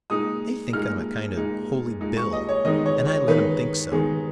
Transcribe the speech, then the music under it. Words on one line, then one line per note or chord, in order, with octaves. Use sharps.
They think I'm a kind of Holy Bill, and I let them think so.
A#2 G#3 D#4 D#6
A#2 G#3 D#4 F6
A#2 G#3 D#4
A#2 G#3 D#4
C#6
D#5
C#5
D#3 G#3 B3 D#4 D#5
C#5
C#5
D#3 G#3 B3 D#4 B4
D#3 G#3 B3 D#4 G#4